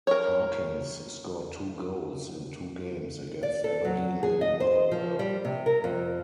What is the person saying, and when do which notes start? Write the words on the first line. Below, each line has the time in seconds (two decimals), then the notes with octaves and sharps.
Harkins scored two goals in two games against Aberdeen and Motherwell.
0.07 A#4 C#5
3.43 D5
3.64 A4
3.85 F#3
4.23 G#4
4.41 D#5
4.60 C5
4.91 F3
5.19 G3
5.45 C3
5.66 A#4
5.84 F2